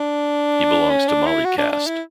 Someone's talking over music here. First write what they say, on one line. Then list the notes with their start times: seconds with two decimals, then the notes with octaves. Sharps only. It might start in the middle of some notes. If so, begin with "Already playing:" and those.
He belongs to Mali caste.
Already playing: D4
0.90 C#4
1.08 D4
1.26 E4
1.45 F#4
1.58 D4
1.72 D4
1.87 E4